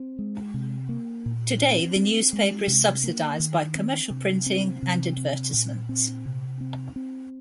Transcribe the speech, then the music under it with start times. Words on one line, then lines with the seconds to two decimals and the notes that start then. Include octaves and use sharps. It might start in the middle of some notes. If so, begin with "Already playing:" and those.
Today, the newspaper is subsidized by commercial printing and advertisements.
Already playing: C4
0.19 G#3
0.54 C3
0.89 A#3
1.26 A#2
1.61 C4
1.96 C4
2.33 G#3
2.67 C3
3.04 A#3
3.40 D#3
3.75 C4
4.10 C3
4.46 C4
4.83 C3
5.17 C4
5.54 A#2
5.89 C4
6.26 C3
6.61 C4
6.96 C4